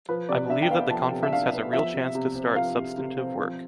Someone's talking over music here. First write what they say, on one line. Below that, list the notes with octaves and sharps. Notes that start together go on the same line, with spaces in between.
I believe that the Conference has a real chance to start substantive work.
F3 B4
C3 D5
D4 E5
G5
B3 F5
F3 A5
C3
E5
D4 F5
B3
F3 E5
C3
C3
C4
F3 F5
C3
C3
C4
F3